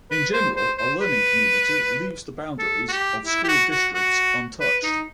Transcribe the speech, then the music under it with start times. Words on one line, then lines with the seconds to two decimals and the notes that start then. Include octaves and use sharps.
In general, a learning community leaves the boundaries of school districts untouched.
0.11 B4
0.33 C5
0.56 C5
0.78 C5
1.00 B4
2.59 A4
2.89 F#4
2.92 G4
3.26 E4
3.44 G4
3.48 F#4
3.71 F#4
3.94 F#4
4.61 B4
4.83 D#4